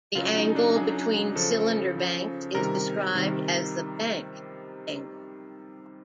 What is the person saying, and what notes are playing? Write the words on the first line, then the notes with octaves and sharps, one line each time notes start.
The angle between cylinder banks is described as the "bank angle".
C#3 F#3 F4
D#4
D4
C#3 F#3 G#4
C#3 F3 A4
C#3 F3
C3 D#3 G3 A#4
C3 D#3 G3